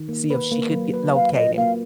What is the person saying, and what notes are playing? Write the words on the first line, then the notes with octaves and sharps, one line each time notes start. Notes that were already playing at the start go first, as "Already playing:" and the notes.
see if she could g locate him.
Already playing: D#3
A#3
B4
A#3
F#3
B4
B4 F5
F4 D#5
A#3 F5